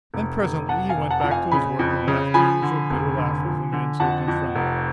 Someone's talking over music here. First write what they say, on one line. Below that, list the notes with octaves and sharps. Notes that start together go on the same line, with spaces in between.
Then presently he went back to his work and laughed the usual bitter laugh of a man so confronted.
F1
F1
F1 F#5 A5
F5 G#5
F1
F#5 A5
F2 A5
F5 G#5
C#3 G#5 B5
F2
C#3
F3 G#5 B5
D3
F1
D3
F3
D3
F2 F#5 A5
F2
F1